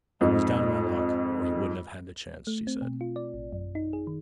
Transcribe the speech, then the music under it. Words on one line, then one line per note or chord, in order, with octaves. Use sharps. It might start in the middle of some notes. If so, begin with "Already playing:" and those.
'I was down on my luck, or he wouldn't have had the chance!' she said.
F2 G#2
A3
C4
B2
F4
D5
A1
F#2
D#4
G#4
D#3